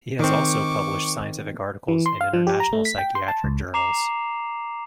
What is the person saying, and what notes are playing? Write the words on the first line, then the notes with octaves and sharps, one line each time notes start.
He has also published scientific articles in international psychiatric journals.
D#3 C4 C#6 D6
E3
C6
F5
F3
G4
A#5
A3
B6
G5
C6
A5
C#2
A#5 D6 C7 E7 F7